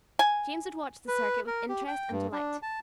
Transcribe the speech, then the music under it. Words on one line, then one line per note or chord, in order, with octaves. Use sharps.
James had watched the circuit with interest and delight.
G#5
B4
A#4
G4
G5
G2
D4
A5